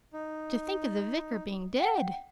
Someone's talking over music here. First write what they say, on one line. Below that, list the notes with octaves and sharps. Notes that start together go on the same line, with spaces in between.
To think of the Vicar being dead!
D#4
F#5 G5